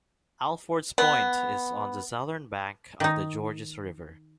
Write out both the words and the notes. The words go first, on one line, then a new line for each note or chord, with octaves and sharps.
Alfords Point is on the southern bank of the Georges River.
B3
D#3 D#4